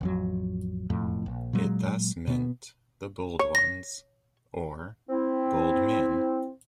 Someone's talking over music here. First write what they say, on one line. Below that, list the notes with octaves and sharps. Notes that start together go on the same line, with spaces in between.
It thus meant "the Bold ones" or "Bold men".
A1 F2 F#3
E1 F2 A2
A#1
A#2 F#3 G#3
B2 B3
C#5
A#6
C4 E4